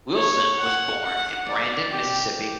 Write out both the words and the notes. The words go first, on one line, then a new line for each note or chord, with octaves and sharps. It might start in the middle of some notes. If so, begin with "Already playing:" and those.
Wilson was born in Brandon, Mississippi.
C#5
F#5
F#5
D5
G4